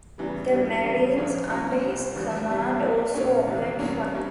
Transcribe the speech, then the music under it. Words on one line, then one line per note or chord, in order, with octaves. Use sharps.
The marines under his command also opened fire.
E2 C#3 E3 G3
G#1 G2 G3
E2 C#3 G3
A#1 G#2 F3 G#3 C#4
C3 G3 C#4 F4 C5
C2 C3 G3
G#1 G2 E3 A#3
E2 C3 G3
A#1 A#2 G#3
A#2 G#3 C#4
F1 E2 C3
E2 C3 G3 A#3 C#4
C3 G3 A#3 C#4